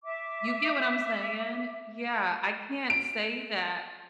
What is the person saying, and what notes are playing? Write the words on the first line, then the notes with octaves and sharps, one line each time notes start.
You get what I'm saying? Yeah, I can't say that,
E5 D6
D7